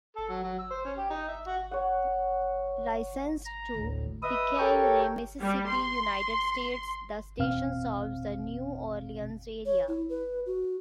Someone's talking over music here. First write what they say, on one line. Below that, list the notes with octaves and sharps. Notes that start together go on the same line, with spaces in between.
Licensed to Picayune, Mississippi, United States, the station serves the New Orleans area.
A4
F#3
F#3
E6
C5
C#4
G4
D#4
E5
F#4
C#5 F#5
A#5
D2 A2
B4 D#5 E5 D#6
G4 A4 A#4 C#5 G5
G3
C6
E2 B2 C4 F5 F6
C#5
E4
B4
F#4